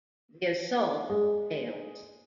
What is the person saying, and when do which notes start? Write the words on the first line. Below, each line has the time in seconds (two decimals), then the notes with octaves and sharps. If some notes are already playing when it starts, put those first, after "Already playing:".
The assault fails.
1.10 G#3